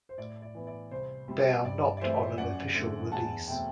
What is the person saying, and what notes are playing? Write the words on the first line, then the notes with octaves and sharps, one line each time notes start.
They are not on an official release.
C5
A2 D5
D5
E3 B3
D5
C2 C5
C3 G3 C4
G2 D5
D5
E3 A3 C4 C5 E5
F#2 D5 F#5
D3 A3 C4
E2 F#5 A5
B2 A3 C4 E5 G5